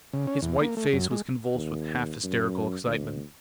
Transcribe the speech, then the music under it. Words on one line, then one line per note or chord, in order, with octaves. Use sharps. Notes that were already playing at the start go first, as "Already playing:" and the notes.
His white face was convulsed with half-hysterical excitement.
C#3
C#4
E2
A#3
A3
F#2
G#3
D#2
F#2
D2